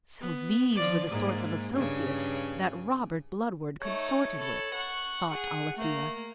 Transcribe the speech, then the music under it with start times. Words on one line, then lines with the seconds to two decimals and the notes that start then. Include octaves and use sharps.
So these were the sort of associates that Robert Bludward consorted with, thought Alethia.
0.20 B3
0.76 F3 D5
1.10 G#2 A#3
1.73 G2 C#3
3.82 A3 D#4 C#5
4.37 A4 B5
4.74 F#5 C#6
5.31 G#4 F#5
5.77 A3 A#3